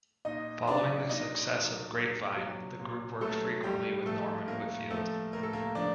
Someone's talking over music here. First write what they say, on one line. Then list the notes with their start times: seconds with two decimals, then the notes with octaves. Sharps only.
Following the success of "Grapevine", the group worked frequently with Norman Whitfield.
0.25 A#2 D#4 D#5
0.67 F#3 D4 D5
1.09 A#2 D#4 D#5
1.52 F#3
1.94 A#2
2.37 F#3
2.80 A#2
3.21 F#3 A3 A4
3.64 A2 G3 G4
4.06 F3 A3 A4
4.48 A2 A#3 A#4
4.90 F3 A3 A4
5.33 A2 A#4
5.43 A4
5.53 A#3 A#4
5.75 F3 D4 D5